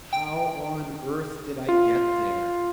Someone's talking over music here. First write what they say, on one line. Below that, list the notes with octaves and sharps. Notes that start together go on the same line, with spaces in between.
How on earth did I get there?
G5
F4